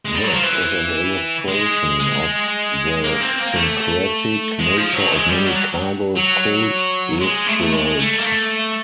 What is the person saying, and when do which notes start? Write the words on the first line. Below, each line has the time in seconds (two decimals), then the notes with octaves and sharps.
This is an illustration of the syncretic nature of many cargo cult rituals.
0.05 G#3
0.15 G3
0.24 F#3
0.33 F3
0.43 E3
1.48 G#3
1.99 G#3
3.04 A#3
3.21 C4
3.39 A#3
3.55 A3
4.59 G#3
4.77 F3
4.94 F#3
5.12 G#3
5.29 G3
5.46 F#3
6.17 F#3
7.21 G#3
7.46 A3
7.72 G#3
7.99 A3
8.19 A#3
8.24 A3